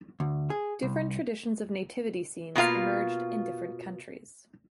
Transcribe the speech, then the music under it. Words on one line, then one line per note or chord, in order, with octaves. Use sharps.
Different traditions of nativity scenes emerged in different countries.
D2
G#4
C2
B2 A#3 F4 F5